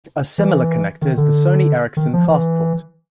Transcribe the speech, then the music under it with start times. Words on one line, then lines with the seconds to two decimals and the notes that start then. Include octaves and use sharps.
A similar connector is the Sony Ericsson FastPort.
0.38 E3
1.02 D#3
1.17 D3
1.97 D#3
2.13 F3
2.28 E3